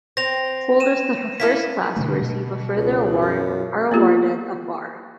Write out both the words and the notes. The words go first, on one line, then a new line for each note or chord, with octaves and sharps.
Holders of the first class who receive a further award are awarded a bar.
C4 A#6 F7
D#7 E7
A#3 E4 A4 B6
B2 D3 A3
B2
C#2
F#2
A#3 B3 F4 G4